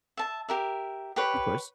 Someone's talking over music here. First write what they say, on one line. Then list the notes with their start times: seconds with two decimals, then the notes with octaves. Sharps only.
Of course.
0.17 E5 A5
0.48 G4 A#4 E5
1.16 G4 B4 C#5